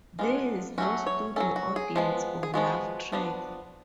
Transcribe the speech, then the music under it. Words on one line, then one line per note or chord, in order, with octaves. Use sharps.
There is no studio audience or laugh track.
G#3 B3 D4 F4
F#3 A3 C#4 F#4
C#5
F#3 A3 C#4 A4
F#4
G#4
F3 G#3 B3
G#4
F3 G#3 B3 F#4
F3 B3 D4